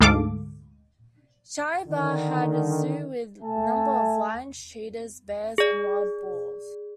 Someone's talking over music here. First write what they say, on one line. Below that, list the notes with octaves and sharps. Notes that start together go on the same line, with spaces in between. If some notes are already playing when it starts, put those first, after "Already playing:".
Shahi Bagh had zoo with number of lions, cheetahs, bears and wild boars.
D2 G#2 A4 F5 D6
D3 D#3
A3 E5 G#5 A5
G#4 D5